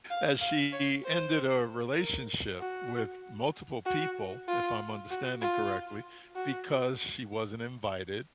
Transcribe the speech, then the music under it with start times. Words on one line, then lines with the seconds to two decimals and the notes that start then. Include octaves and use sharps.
that she ended a relationship with multiple people, if I'm understanding correctly, because she wasn't invited
0.10 F5
0.41 F5
0.73 C#5
1.04 C5
1.98 A#4
2.60 F#4
3.85 F#4
4.48 F4
5.10 F#4
5.41 F4
6.36 F#4